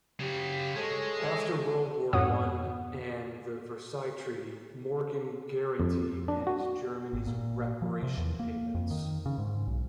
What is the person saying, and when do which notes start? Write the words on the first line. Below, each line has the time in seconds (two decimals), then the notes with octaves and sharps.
After World War One and the Versailles Treaty, Morgan Guaranty managed Germany's reparation payments.
0.20 C#3 F#4 G4
0.76 G#3 G#4 A4 C#5 D#5
2.13 F2 G#2 C#5 F#5 D#6
5.80 F2
6.28 D4
6.47 F#4
7.13 G#1
7.27 A#2
7.82 F3
8.03 C3
8.17 E2
8.39 A#3
8.75 F2
8.91 D#3
9.26 C#3
9.38 G#2
9.67 B1